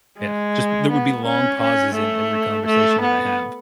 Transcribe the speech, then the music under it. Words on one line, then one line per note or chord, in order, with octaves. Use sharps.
Yeah, just there would be long pauses in every conversation that I have.
G#3
B3
C#4
C#4
A3
A3
B3